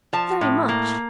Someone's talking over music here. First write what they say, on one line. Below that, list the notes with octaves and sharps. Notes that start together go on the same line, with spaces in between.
"Very much!"
F3 A5
A2
A#3